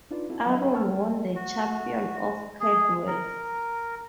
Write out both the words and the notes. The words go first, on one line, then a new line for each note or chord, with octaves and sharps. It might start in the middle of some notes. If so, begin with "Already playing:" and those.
Aron won the Champion of Cadwell.
D4 D#4 F4 B4 D5
C4 E4 F#4 A4
F#3 D4 D#5 E5
A4 G5 A5 C#6 E6 F6
F#4
G#4
A#4